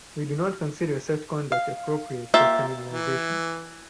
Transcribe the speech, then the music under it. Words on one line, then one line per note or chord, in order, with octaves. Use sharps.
We do not consider such conduct appropriate for criminalization.
F5
A#3 F4 G4 E5
E3